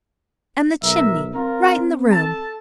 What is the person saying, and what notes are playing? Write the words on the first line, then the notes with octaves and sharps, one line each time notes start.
And the chimney right in the room!
B1 A#4 E5
C4 F4 A#4
A4 A5